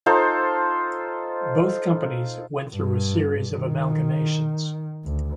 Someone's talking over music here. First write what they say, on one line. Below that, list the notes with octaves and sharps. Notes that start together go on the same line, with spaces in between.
Both companies went through a series of amalgamations.
D#4 F4 A4 C5
G2
D#3
D2